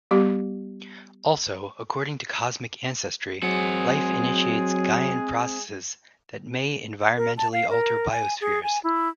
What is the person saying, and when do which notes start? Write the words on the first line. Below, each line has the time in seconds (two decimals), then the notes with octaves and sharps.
Also, according to cosmic ancestry, life initiates Gaian processes that may environmentally alter biospheres.
0.11 G3 B3 G4
3.43 F#3 G#3 C4 G#4 F#5
7.17 A#4
7.37 A5
7.53 F5
7.70 A#4
8.11 G#5
8.41 G#4
8.63 G#5
8.84 E4